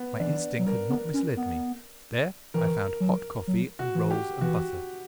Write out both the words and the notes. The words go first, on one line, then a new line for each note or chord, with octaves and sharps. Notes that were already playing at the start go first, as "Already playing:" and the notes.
My instinct had not misled me: there I found hot coffee, and rolls and butter.
Already playing: B3
E3 D4
F#3
G3 A#4
B3
C#4
B3
E3 A#4
F#3
F#3
F#4
E3
G4
E3 F#4